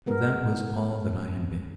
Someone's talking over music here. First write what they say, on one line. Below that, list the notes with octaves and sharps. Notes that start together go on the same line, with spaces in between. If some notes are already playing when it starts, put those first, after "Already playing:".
For that was all that I had been.
G#3 B3 A#4